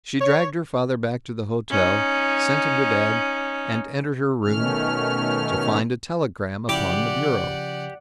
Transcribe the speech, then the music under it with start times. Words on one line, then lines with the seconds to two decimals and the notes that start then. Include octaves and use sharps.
She dragged her father back to the hotel, sent him to bed, and entered her room--to find a telegram upon the bureau.
0.21 C#5
1.71 C#4 D#4
4.44 B2 D#3 A3 C#4 F6
6.69 C#3 F3 E4 G4 D5 F#5 G5 D6